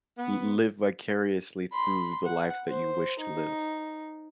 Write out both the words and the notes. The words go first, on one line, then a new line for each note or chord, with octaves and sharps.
l live vicariously through the life that you wish to live.
B3
B5 C6
F#5
C5
D#4